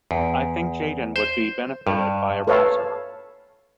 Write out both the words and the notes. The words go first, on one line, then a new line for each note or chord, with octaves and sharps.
I think Jayden would be benefited by a rouser.
E2
C5
G2
A4 B4 C#5 F5 A5